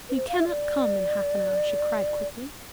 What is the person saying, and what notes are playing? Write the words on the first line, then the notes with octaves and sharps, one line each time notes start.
"He cannot come in half an hour," she cried quickly.
B4
C5
F5
E5
D5